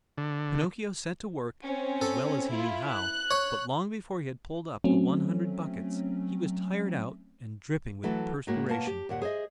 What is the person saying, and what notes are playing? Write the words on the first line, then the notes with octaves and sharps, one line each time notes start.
Pinocchio set to work as well as he knew how, but long before he had pulled up the one hundred buckets, he was tired out and dripping with perspiration.
D3
C4 C#4
A4
E4 F4
F#6
C#5
F#3 A3 C4 C#4
E3 F#3 A3 A4
A2 G#3 A#3 F#4
B2 A#3 A#4 A5
G4
D#2 A#2 F#5
G#4 C5 C#5 D#5 E5